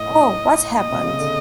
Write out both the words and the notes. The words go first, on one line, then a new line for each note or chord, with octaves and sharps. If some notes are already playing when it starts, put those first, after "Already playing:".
Oh, what's happened?
Already playing: A2 D#5
A2
A#2 D#5
C3
C#3
D3